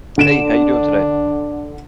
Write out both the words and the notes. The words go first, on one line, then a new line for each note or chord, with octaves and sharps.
Hey, how you doing today?
D3 D4 D7 E7